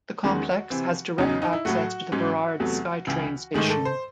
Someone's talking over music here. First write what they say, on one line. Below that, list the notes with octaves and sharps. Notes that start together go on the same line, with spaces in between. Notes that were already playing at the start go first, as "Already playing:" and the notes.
The complex has direct access to the Burrard SkyTrain station.
E2 D#3 G#3 C#4 F#4
C3 E3 C4
E2 C#3 F#3 C#4 D#4
D#4
D#4
E4
A2 F#3 A3 F#4
G#2 F#3 C#4
E2 C3 F#3 A3 F#4
C#2 C#3 E3
G#2 D#3 A3 G#4
A4
C5